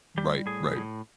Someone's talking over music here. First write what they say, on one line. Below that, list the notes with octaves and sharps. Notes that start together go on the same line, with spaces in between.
Right, right.
G3 G4
A2 G#4
A2